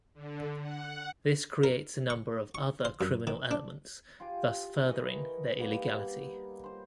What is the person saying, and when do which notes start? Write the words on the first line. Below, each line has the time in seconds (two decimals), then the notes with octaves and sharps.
This creates a number of other criminal elements, thus furthering their illegality.
0.14 D3
0.61 F#5
1.64 A#4
2.10 C#6
2.55 C#6
2.85 C5
3.01 F#2
3.27 D#3
3.51 D4
4.20 F4 G4 G#5 D6
4.86 E3 A#4 D#5 C#6
5.59 G3 A#3 B3 D#4
6.64 C5 C6